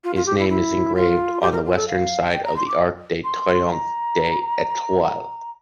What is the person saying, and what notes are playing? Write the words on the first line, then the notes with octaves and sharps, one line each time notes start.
His name is engraved on the Western side of the Arc de Triomphe de l’Étoile.
F4
F4
G4
E4
E4
F4
G4
A#4
F4
A4
F5
G5
A#5
C6
D6
C6
A#5